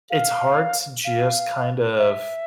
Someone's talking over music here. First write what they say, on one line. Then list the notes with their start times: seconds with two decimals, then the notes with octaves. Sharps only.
it's hard to just kind of
0.10 F5
1.05 F5
1.99 E5